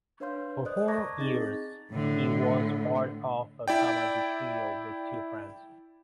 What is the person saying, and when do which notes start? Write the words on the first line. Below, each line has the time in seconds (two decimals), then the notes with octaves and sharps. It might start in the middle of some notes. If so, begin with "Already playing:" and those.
For four years he was part of a comedy trio with two friends.
0.20 D4 B4 C#5 F5 C6 G6
0.65 A#4 C5 D5 D#5 D#6 F#6
0.88 A5 A#5 C#6 D6 G#6 A#6
1.18 C4 D#4 G#4 D#5 A6
1.92 A2 D3
3.68 E4 D5 G5